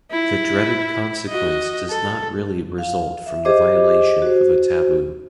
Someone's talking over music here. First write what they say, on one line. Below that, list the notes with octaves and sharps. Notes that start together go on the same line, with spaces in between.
The dreaded consequence does not really result from the violation of a taboo.
E4
F#4 D#5
A4
F5
E5
G4 G#4 C5 D#5 D6
F#4 C5